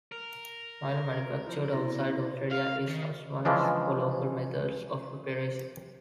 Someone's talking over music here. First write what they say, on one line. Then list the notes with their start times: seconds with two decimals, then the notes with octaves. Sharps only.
Milo manufactured outside Australia is customised for local methods of preparation.
0.12 A#4
1.46 F3 E4
1.73 B2 E4 D5 A#6
2.51 F5
2.88 D#3
3.45 C#3 E3 F3 G#3 D4